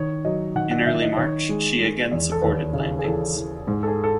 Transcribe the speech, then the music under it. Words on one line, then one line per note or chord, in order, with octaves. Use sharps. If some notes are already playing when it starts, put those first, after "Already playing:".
In early March, she again supported landings.
Already playing: D#3 C#5
F#3 D#5
D#3 F#5
F#5
D#3 E5
D#5
D#3 C#5
G#3
G#3
E2
A4
D#2 B4
C#3
G#4
E3 A4
E3
G#2
A4
G#4
A4